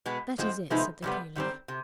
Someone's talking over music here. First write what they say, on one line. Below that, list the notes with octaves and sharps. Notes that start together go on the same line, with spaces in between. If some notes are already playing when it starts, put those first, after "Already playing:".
"That is it," said the Caliph.
B2 G#3 B3
G#2 F3 G#3 C4
C3 F3 G#3 B3 D#4
F2 C3 G3 B3
G#2 D#3 G3 C4
C3